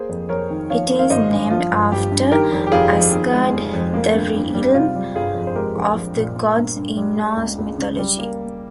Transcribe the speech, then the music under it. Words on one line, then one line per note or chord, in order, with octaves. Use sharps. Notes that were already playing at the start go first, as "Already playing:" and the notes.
It is named after Asgard, the realm of the gods in Norse mythology.
Already playing: A#3 G#4 C5
F2
F2 A#4 C#5
D#3
F3 C#5 F5
A#3
F5
G#1 C5 D#5
G2
F3 F4
G1
G1 G4
G2
D#3 G4 A#4
F1
G4
F1 F4 G#4
F2
D#3
G#3
F1
F2
A#3
G2
G2
G3
C3 F4
G3
G1 F4 G#4
F2
C5
G#3 G4 A#4
A#1
A#1
A#2
A#3
G2
G2
G3
G#3
C#2
C#2
C#3
G3
A#3